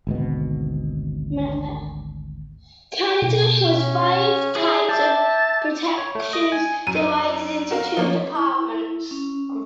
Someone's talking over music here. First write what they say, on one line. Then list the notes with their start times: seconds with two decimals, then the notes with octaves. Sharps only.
Canada has five types of protections divided into two departments.
0.07 G#1 D2 B2
3.22 B2
3.74 C#4
4.56 E4 G#4
4.89 E5 A5 D6 G6
5.98 C#5
6.15 A3
6.33 D#5
6.52 G#5
6.87 F#2 D#7
7.71 F#4 A#4 F5
7.97 F3 A#3 C#4
8.35 E4
9.11 C#4